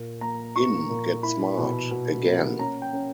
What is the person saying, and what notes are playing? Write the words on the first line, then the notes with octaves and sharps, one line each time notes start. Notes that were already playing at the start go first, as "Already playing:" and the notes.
In Get Smart, Again!
Already playing: A#2
A#3 A#5
A#3 C#6
A#2
E4 B5
B2
B2
A#3
C#4 A#5
G5
C#4